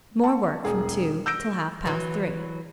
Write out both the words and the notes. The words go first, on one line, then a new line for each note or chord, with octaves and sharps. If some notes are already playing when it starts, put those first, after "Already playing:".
More work from two till half past three.
A5 C#6
E1 G#4
E6 G6 A#6 D7
E3 F#3